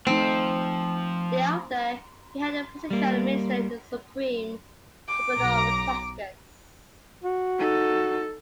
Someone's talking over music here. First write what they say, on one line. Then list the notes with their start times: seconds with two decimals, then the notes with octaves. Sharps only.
Thereafter, he held a position of Minister of the Supreme Tribunal of Justice.
0.07 F3 A3 C4 D#4
2.90 G3 A#3
5.08 D6
5.38 B1 A#5
7.24 F#4
7.59 D#4 A4